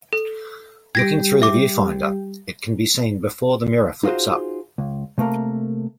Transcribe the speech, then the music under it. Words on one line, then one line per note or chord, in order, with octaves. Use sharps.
Looking through the viewfinder, it can be seen before the mirror flips up.
A4
G3 G4 G#6 A#6 D7
E5 D6
D#4 F4 F#4 G#4 C5
C#2
C3 A3 A#3 A#4